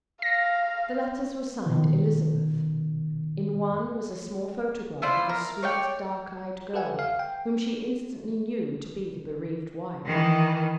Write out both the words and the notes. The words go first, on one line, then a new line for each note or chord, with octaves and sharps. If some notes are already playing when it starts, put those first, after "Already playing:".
The letters were signed "Elizabeth." In one was a small photograph of a sweet, dark-eyed girl whom she instantly knew to be the bereaved wife.
F5 A#6
B2 D#3
E4 F4 C5 D5
A#4
C#5 D5 G5
G4 A4 B4 E5 F#5 G#5
F5
G5
D#3 E3